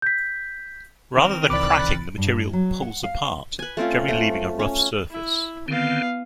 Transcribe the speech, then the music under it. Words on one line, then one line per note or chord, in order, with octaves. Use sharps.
Rather than cracking, the material "pulls apart," generally leaving a rough surface.
G6 B6
D#3 C4 A#4
C2 E3 D5 B5 D6 F#6 A6
G2
F#3
F#5
F5
B4 G#5
A3 C4 C#4 F4
A3
C#4
E4
D3 D#3 B3 C4 F5